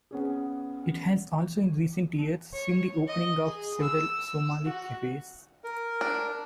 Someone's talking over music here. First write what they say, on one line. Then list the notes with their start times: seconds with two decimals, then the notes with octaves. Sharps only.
It has also in recent years seen the opening of several Somali cafes.
0.11 B3 C#4 G#4
2.53 C#5
3.08 D#5
3.46 G#4
3.80 E6
4.65 F#4
5.64 A#4
6.01 D4